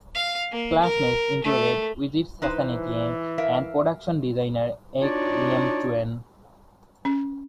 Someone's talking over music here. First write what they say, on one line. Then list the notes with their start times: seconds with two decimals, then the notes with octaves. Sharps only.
Classmates included Wisit Sasanatieng and production designer Ek Iemchuen.
0.15 F5
0.51 A#3
0.83 A#4
1.44 A3
2.42 E3 D#4 B4 C5
3.38 A#4 E5 F5
5.01 D4 D#4 F4 F#4 C#5 D5
7.05 C#4